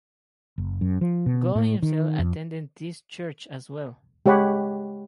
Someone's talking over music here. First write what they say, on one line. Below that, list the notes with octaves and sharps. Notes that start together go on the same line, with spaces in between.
Goh himself attended this church as well.
F#1
F#2
F3
B2
A2
D#3
F2
G#3 G4 C#5 F#5 B5